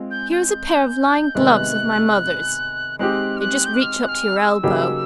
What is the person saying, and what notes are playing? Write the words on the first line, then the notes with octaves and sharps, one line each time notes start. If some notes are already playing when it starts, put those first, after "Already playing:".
Here is a pair of lined gloves of my mother's; they just reach up to your elbow.
Already playing: G#3 C4 F4
G6
G6
C3 D#3 G#3 B3 F#6
G#3 C4 D#4 G4 F#6
F6
F#6
G6
F#6
F6
F#6
F6
E6
C#3 F#3 A#3 D#4 G4